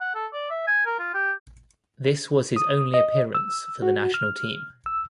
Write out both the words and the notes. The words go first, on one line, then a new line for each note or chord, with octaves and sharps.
This was his only appearance for the national team.
F#5
A4
D5
E5
G#5
A#4
F4
G4
D#6
D#5
E6
F#4
F6
E6